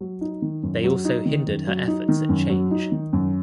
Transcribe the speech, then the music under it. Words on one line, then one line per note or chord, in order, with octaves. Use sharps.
They also hindered her efforts at change.
F#3
D#4
D#3
F#2
F#3
D#4
D#3
F#2
F#3
D#4
D#3
F#2
F#3
D#4
D#3
F#2